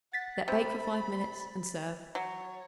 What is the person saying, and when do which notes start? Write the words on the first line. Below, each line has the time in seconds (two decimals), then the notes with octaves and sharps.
Let bake for five minutes and serve.
0.13 F#5 A6 B6
0.48 C3 B5
2.15 F#3 C#5